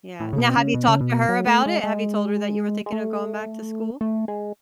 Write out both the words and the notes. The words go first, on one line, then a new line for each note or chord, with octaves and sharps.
Yeah now, have you talked to her about it? Have you told her that you were thinking of going back to school?
A2
C#3
B2
C#3
B2
C#3
B2
F#3
A3
G#3
G#3
G#3
A3
A3
G#3